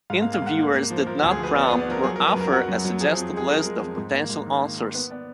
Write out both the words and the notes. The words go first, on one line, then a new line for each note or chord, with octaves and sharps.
Interviewers did not prompt or offer a suggested list of potential answers.
G#2 F5
F5
A#3
F5
G#2 F#5
A#3
A#3
F3
F3 A#4
F#4
D2
G#4
F3 B4
B3 D5
B4
B3
D5
F3 A#4
F#3 G#4
A#4
F#3
B4
F#2 A#4
F#3 F#4
F#2
F#3
F3 G#4
F2
G#3 G#4
F3 A#4
G#3
F2
G#2
A#3
G#2
D#3
A#3
A#3
B3 B4
B3 D5